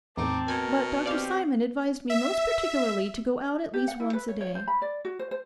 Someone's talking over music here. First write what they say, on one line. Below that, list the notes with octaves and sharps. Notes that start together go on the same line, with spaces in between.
But Dr Simon advised me most particularly to go out at least once a day.
E2 A2 C4 D#4 A5 D6
B2 A#4 G#5
C4 G4 C5 D5 F5
E5
G4
F#5
E4
B4
C#5
C#5
C5
B5
D5
F#4
C5
C5